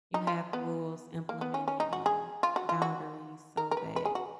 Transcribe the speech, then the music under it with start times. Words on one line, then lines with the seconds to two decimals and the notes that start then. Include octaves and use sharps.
you have rules implemented and boundaries so that
0.14 D#4
0.27 F4
0.53 B3
1.29 A#3
1.41 B3
1.54 C#4
1.68 C#4
1.80 D#4
1.93 F#4
2.06 G#4
2.43 F4
2.56 F#4
2.69 F4
2.82 F#4
3.57 A#4
3.71 A#4
3.77 B4
3.96 B4
4.05 G#4
4.15 F#4